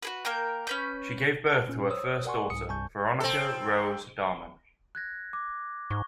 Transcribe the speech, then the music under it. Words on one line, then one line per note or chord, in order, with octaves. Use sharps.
She gave birth to her first Daughter Veronica Rose Dahmen.
F#4 G#4 B4
A#3 A#4 G5
C#4 B4 G6
F#5 A5
A#2 C#4
C5 C#5 D#6 E6
A#4 D5 F#5 G#5 C6 C#6
C2 G#2 D#6 C#7
C2 G2 G#5 A5 C#6 G6
C4 A4
F#6 G#6 A#6
D6
G#2 C#6